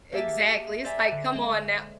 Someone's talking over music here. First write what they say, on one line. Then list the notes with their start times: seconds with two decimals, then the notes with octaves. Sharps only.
Exactly, it's like, "Come on now"
0.12 A#3 G4 G#4 E5 A5
0.84 C5 D5 E5 G#5 A#5
1.11 D3
1.35 G#3